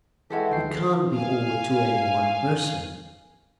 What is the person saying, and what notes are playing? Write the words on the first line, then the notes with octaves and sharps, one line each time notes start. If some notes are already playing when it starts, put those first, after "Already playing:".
We can't be all to any one person.
E3 G#3 E4 F#4 G4 A4
D2 D#4 G5 C7
F5 G#5